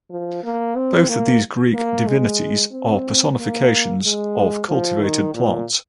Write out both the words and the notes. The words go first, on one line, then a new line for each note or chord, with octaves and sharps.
Both of these Greek divinities are personifications of cultivated plants.
F3
A#3
C4
A#3
A#3
G#3
C4
A#3
G#3
F3
D#3
A#2